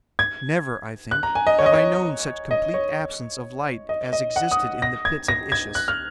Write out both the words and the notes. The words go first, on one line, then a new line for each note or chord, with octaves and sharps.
Never, I think, have I known such complete absence of light as existed in the pits of Issus.
G#6
F#6
A#5
G#5
D#5
C#5
D#5
C#5
D#5
C#5
D#5
D#5
F#5
D#6
A#6
G#6
A#6
G#6
F#6
F6